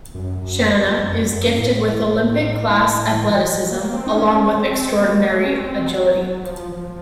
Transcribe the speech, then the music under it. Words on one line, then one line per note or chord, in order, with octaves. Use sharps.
Shanna is gifted with Olympic-class athleticism along with extraordinary agility.
F#2
F#2
F2
F#2
F#2
F#2
A2
F3
F3
F#3
A#3
C4
D#4
C#4
C#4
C4
A#3
A3
C#4
C4
F#3
F#3
F3
F3